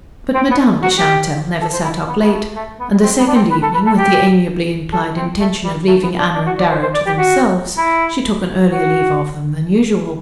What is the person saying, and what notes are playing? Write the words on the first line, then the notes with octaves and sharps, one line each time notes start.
But Madame de Chantelle never sat up late, and the second evening, with the amiably implied intention of leaving Anna and Darrow to themselves, she took an earlier leave of them than usual.
C4
B3
F#4
G4
A4
C5
E4
B3
B3
A3
A3
B3
C4
B3
D4
C4
B4
A4
B4
A4
G4
A4
C4
A3
G3
A3
B3
D4
D4
F#4
D5
C5
C5
D5
G4
F#4
E4
F#4